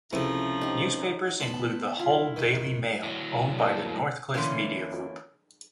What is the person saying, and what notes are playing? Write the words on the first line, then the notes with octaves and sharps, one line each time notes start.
Newspapers include the "Hull Daily Mail", owned by the Northcliffe Media group.
C#2 C3 F3 A3 E4 A#5
D#4 G4
B3 A5 B5 C6
E4 F4
D#3
A2 F#3
A#3 A4
D3 E3 A3 A#3 C#4